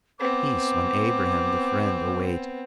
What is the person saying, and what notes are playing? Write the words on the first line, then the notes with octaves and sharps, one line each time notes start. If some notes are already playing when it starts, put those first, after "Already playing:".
Peace on Abraham the Friend await!
B3 C4 D6